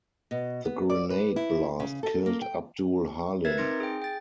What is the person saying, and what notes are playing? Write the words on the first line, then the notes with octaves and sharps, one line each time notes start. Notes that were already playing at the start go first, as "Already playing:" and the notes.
The grenade blast killed Abdul-Halim.
B2
B3
D5
B4
E4
C#3
A4
A#3
G5
A#4 B4 E5 G#6 A6
C4 D#4 C6 A6 A#6 C#7
G#4 G5
G5 A6